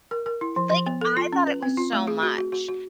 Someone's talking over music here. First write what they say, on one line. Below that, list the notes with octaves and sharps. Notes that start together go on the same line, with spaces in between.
Like, I thought it was so much,
A#4
A#4
E4
F3
F3
B3
A4
F4
C#4
B4
C4
F4
A3
G#4
F#4
F#4
F#4
F#4